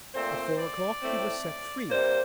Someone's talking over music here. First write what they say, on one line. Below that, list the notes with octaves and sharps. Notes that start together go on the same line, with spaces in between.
At four o'clock he was set free.
A#2 A3 C4 C5
D5
A2 A3 C4
C3 G3 A#3 C5